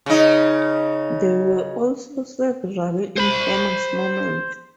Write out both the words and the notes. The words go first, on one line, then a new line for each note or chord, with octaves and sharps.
There were also several infamous moments.
C#3 D#4
C5 B5